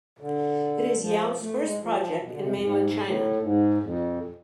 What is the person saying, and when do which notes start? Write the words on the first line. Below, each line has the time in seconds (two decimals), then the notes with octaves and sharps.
It is Yau's first project in mainland China.
0.20 D3
1.00 F3
1.41 A3
1.61 G#3
1.81 F3
2.22 B2
2.32 D3
2.42 C3
2.52 F2
2.62 G#2
3.02 A2
3.42 G#2
3.83 F2